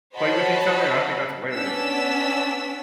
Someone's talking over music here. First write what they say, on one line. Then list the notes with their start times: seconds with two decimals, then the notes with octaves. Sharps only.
play with each other, and I think that's hilarious.
0.16 F#4 C5 C#5 D#5 A5 B5
1.52 B3 C#4 D4 E6 B6